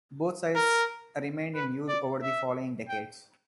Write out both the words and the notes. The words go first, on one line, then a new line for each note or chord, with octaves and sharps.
Both sites remained in use over the following decades.
A#4
B4
D5
E5
G5